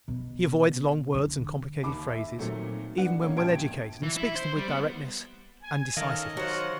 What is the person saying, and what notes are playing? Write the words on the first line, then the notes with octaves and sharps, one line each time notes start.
He avoids long words and complicated phrases even when well educated and speaks with directness and decisiveness.
B2
D3
D#2 B5 D6
E5
A#2 D#3 F#3 A3 C4
B3 D4 F#5
D3 A#3 C#4
E1 A#1 G5 A5 G#6 D7
E3
E4
C5
G3
B3
G#5
D#3 C#4 A4 A#4 D#5 F5
F#3 F4 C5 F5 F#5